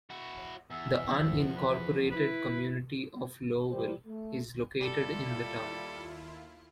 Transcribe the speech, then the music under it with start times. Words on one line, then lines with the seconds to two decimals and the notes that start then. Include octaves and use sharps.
The unincorporated community of Lowville is located in the town.
0.10 E4 F#4
0.71 E2 E5
1.03 F3
1.56 B4
2.11 E4 B4
3.69 A#2 E3 G3 G4 C5
4.06 A3
4.81 D#2 G3 E4 F4 A4